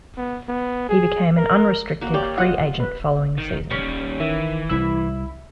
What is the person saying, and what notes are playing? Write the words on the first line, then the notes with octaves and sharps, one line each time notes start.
He became an unrestricted free agent following the season.
B3
B3
G#4
A#4
A#3 F#4
G4 C#5 D5 G5
F4 D#5 F#5
B4
D#3
D#2 G3 C#4
D#3 E3 E5
C2 E4 E6